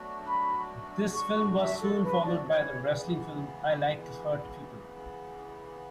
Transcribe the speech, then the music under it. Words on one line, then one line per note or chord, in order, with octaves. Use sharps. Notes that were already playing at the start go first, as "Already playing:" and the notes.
This film was soon followed by the wrestling film, "I Like to Hurt People".
Already playing: B2 F#3 A3 D4 F#4
B5
C#6
E5
A4
B4
D5
C#3 E3 B3 C#5